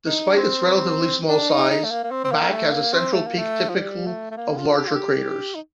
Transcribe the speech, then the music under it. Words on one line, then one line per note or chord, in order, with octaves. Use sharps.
Despite its relatively small size, Back has a central peak typical of larger craters.
D#4
D4
C4
D4
D#4
D#4
A3
A#3
A#3
C4
C4
A#3
A3
A#3
C4
A3
A#3
A3
F3
G3
A3
A3
A#3
F4
G4
F4
G4
D#4